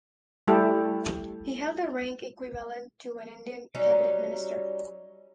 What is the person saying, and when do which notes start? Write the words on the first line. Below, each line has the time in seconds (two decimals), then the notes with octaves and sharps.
He held the rank equivalent to an Indian Cabinet Minister.
0.47 G3 A3 E4 G4 A4
3.75 F#3 G3 C#4 D#4